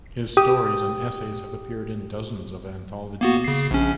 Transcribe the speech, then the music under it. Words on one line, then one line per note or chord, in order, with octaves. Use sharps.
His stories and essays have appeared in dozens of anthologies.
G4 D#6
A#3 B3 F#4
C#3 C7
A#1 C#4